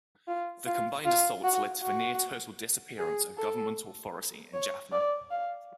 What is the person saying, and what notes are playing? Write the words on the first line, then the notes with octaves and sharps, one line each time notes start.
The combined assaults led to the near-total disappearance of government authority in Jaffna.
F4
F4
F4
F#4
F#4
G#4
A4
C#5
D5
F5